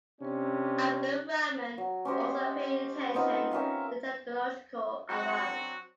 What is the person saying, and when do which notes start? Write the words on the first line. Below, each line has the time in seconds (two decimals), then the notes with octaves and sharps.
Abdur Rahman also paid attention to technological advance.
0.20 C3 C#4 D4
1.78 F#3
2.05 C#4 G4 C5 D#5
3.14 B3 C4 D#4 F4
3.51 C#4 A#4 E5 F5
5.09 F#3 C4 D4 F#4